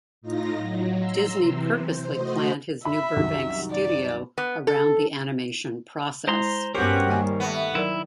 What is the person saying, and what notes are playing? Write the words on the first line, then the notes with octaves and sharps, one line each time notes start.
Disney purposely planned his new Burbank studio around the animation process.
A2 D#4 F4 A#6
F#3
A#5 C6 E6
C3 E3
C5
A3 F#4 C5 D#5
E5 B5
C2 F#2 D#3
D5
B3
A4
G#3 E4 C5 A#5 C6
G2 B3 C#4 F#4 G4 A#4 C5 C#5
D#3 G3 A#3 G5 G#5
A3 B3
D#3 F#3 E4 A#4 D5